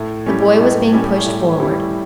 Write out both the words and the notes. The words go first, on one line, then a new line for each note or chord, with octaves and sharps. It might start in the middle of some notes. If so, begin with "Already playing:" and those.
The boy was being pushed forward.
Already playing: A2
G3 C#4 E4 G4
A2
G3 C#4 E4 G4
A2
G3 C#4 E4 G4